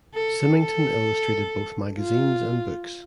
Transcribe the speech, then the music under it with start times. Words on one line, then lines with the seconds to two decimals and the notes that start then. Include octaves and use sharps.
Symington illustrated both magazines and books.
0.14 A4
0.61 A4
1.99 F4